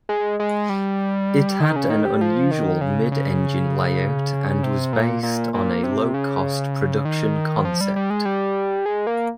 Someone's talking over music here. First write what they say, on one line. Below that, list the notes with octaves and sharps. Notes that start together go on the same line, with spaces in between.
It had an unusual mid-engine layout and was based on a low-cost production concept.
G#3
G#3
G3
D#3
C#3
D#3
G3
F3
D#3
C#3
C#3
C3
A#2
A#2
A#2
C3
C#3
D#3
F3
G3
G3
G#3
G3
G#3
A#3